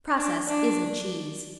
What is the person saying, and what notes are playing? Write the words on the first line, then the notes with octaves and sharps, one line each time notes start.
Process isn't cheese!
D4
D4